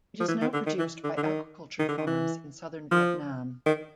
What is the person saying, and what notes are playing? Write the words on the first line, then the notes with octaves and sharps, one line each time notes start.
It is now produced by aquaculture farms in southern Vietnam.
F3
E3
D#3
D3
D#3
E3
D3
D3
D#3
D#3
D3
D#3
E3
F3
D#3